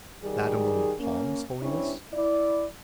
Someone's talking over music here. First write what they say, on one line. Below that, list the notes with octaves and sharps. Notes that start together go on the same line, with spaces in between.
"That among the palms, Holiness?"
D#3 G3 G#4
A#3 C#4
G2 C3 C#4 D4 E4 C#5
E4 D5